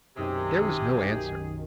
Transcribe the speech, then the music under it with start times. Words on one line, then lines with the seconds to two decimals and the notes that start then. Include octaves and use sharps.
There was no answer.
0.17 B1 F#2 C3 D#3 G4 G#4